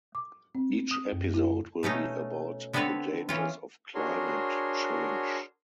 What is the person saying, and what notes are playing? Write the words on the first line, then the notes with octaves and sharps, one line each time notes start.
Each episode will be about the dangers of climate change.
D6
C4
D#6
F#2
E4
B2 A3 C#4 D#4
D3 B3 C4 A4 B4 C#5
E3 C#4 F4
D4 F#4 G#4 A#4 C#5 C6